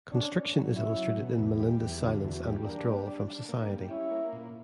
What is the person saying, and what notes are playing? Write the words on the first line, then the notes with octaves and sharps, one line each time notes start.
Constriction is illustrated in Melinda's silence and withdrawal from society.
C#4 D4
C#4
F#3
C#4 E4
F#3
B2
E2
G3
E2
D3 F#4
E2
F#4
G3
A#3 D4
G3
D4
D4
A#3
G3
C#4 E4
A#3
A#2